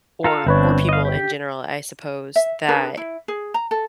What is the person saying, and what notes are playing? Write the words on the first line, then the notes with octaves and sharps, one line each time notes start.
or or people in general, I suppose, that
F4 A4 F5 A#5
G1 C4 D4 B4 C#5
D#5 F5
G4
E5
D4 G#4 A#4 B4
E4
G#4
A#5
A4